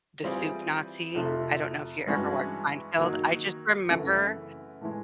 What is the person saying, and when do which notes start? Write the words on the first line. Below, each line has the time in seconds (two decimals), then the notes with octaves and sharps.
the Soup Nazi I don't know if you ever watched Seinfeld. I just remember
0.23 E3 G3 C4 F4 G#4
1.15 F2 C3 F3 A3
2.07 G2 E3 G#3 C#4 F#4
2.98 D#3 F#3 A#3 D#4
3.90 F#2 C#3 E3 A3
4.81 A2 E3 G#3